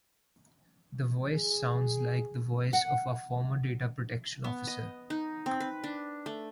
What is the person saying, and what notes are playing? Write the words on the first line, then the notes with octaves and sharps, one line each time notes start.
The voice sounds like the voice of our former data protection officer.
G#4
F#5
B3
D#5
D#4
C4
B4
D4
A3